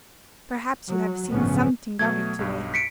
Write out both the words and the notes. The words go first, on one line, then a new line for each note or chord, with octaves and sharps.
Perhaps you have seen something of it to-day.'
F#3
A1 G2 C#3 F3 B3 C#4
B2 F#3 A3 G#6
B1 G2
B6 C#7 D7